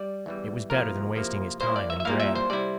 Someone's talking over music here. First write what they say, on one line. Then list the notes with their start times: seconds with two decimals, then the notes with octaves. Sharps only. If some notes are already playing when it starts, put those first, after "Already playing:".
It was better than wasting his time in dread.
Already playing: G3 D5
0.26 E2 E3 G3
0.70 C3 F3 A#3 E4 A#4
1.15 C3 F3 A#3 E4
1.61 A#2 G3 A#3 E4 C5
1.76 D5
1.90 E5
2.00 E5
2.05 A#2 G3 A#3 E4 F5
2.20 E5
2.35 C5
2.50 C3 G3 C4 E4 D5